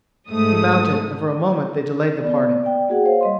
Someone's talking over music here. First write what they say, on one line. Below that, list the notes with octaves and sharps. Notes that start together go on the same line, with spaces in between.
He mounted and for a moment they delayed the parting.
G#2 A3 D#6
B3 D5
D5 G5
A#3 F#4 G#4 F#5
C5 C#5 F5
G3 D#5 C6